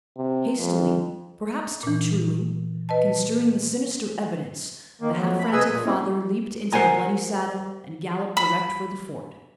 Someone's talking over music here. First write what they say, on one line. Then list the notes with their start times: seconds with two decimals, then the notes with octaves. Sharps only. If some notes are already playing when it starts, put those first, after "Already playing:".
Hastily--perhaps too truly--construing the sinister evidence, the half-frantic father leaped into the bloody saddle, and galloped direct for the Fort.
0.17 C3
0.57 F2
1.83 A#2 E3
2.89 B4 D#5 A5
5.01 D#3 A#3
5.15 F2 F#3
5.39 A3 B5
5.52 C3 G#4 B4 D#5 G#5 E6
5.69 A#2
5.86 G#3 A#3 C4 C#4 E4
6.72 A#4 C5 F#5 G#5 A#5
8.37 B5